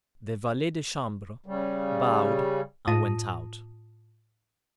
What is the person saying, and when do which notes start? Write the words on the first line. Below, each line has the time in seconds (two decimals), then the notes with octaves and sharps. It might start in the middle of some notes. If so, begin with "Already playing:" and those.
The valet de chambre bowed and went out.
1.46 C#3 G3
2.88 A2 F4 A5 D#6 A#6 D#7